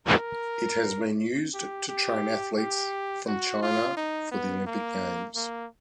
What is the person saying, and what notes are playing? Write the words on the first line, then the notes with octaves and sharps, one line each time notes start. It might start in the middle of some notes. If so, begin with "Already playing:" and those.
It has been used to train athletes from China for the Olympic games.
A#4
G4
G4
G4
F#4
F4
D#4
B3
A#3
A#3